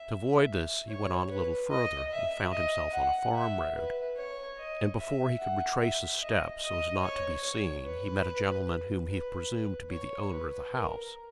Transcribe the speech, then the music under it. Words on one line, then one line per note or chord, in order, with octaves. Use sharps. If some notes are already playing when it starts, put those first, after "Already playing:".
To avoid this he went on a little further and found himself on a farm road, and before he could retrace his steps so as not to be seen, he met a gentleman whom he presumed to be the owner of the house.
Already playing: E5
C#5
B4
D#5
E5
D#5
F#5
E5
B4
C#5
D#5
E5
F#5
E5
D#5
D#5
C#5
C#5
B4
B4
C#5
B4
A#4